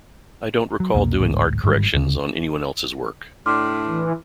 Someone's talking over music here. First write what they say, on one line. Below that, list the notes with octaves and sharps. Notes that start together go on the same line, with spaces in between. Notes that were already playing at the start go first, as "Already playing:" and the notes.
I don't recall doing art corrections on anyone else's work.
F#3
C2 F2 B2 A#3
A1 D2 G#2
G1 G#2 D#3 G3
D2 C#3
A2 D4 C6 D6 F6
E3